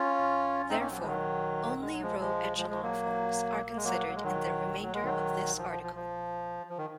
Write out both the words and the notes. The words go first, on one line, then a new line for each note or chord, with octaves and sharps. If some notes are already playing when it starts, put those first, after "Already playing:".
Therefore only row echelon forms are considered in the remainder of this article.
Already playing: C#4 F4
C4 D#4
A#3 C#4
F#3
F3
G#3
D#3 F#3
G#3
F#3
F3 G#3
F3 G#3
F3 G#3
F3 G#3
F#3 A#3
A#3
G#3
F#3 A#3
F#3
G#3
D#3 F#3
F#3
G#3
D#3 F#3
F3
F3
F3
F3
F3
D#3